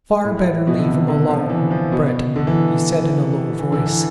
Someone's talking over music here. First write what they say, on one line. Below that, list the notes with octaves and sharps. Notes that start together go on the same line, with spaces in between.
"Far better leave him alone, Breton," he said in a low voice.
A2
B2
D3
C3
D3
F3
E3
F3
B2
D3
E3
E3
D3
E3